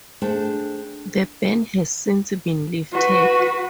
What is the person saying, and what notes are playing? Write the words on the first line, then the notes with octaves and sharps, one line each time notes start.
The ban has since been lifted.
A3 D4 G#4 C5 G5 A5
F#4 B4